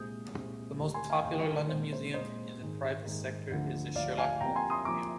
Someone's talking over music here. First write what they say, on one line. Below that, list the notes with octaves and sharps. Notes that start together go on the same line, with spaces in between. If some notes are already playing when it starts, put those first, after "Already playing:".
The most popular London museum in the private sector is The Sherlock Holmes Museum.
Already playing: C2 A#2 G#3 C4 D#6 G6
C2 A#2 G#3 C4
D2 D3 G3
G#5 C6
F5 G#5
D2 D3 G3 D#5 G5
A#4
A#2 G#3 C4 C5
C5
A#2 G#3 C4 C5 D#5
G#2 D#3 G#3
G#2 D#3 G#3
D2 D3 F3
D2 D3 F3 D5 F5
F5 G#5
C2 C3 F3 A#3 G5 A#5
G#5 C6
C6 D#6
C2 C3 F3 A#3 A#5 D6